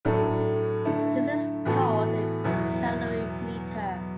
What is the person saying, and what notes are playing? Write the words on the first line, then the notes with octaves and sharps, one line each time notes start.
This is called a calorimeter.
A2 F#3 A3 D4 A4
D3 A3 E4 A4
A2 E3 B3 F#4 A4
E2 B2 F#3 B3 E4